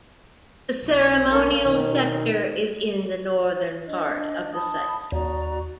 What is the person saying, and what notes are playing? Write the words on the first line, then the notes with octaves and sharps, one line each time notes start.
The ceremonial sector is in the northern part of the site.
B1
A#3 A4 A#4
B2 D#3
D4 D#5
A5 B5 D#6
D#2 F#4 D5 A#5